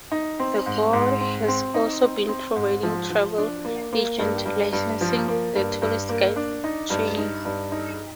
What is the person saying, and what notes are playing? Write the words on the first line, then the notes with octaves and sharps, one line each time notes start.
The board has also been providing travel agent licensing and tourist guide training.
D#4
C4
G#2
G#2
C4
C4
D#4
C4
C4
G#2
F3
F3
D4
A#3
A#3
G2
G2
G2
F3
A#3
G2
G2
A#3
D4
D#4
G2
D#4
G2
D#4